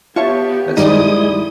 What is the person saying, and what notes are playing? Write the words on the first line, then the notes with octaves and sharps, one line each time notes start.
that's sort of
B3 F4 G4 C#5 E5 A5 C#6
G2 D#3 G3 G#3 D#4 E4 D5 D#6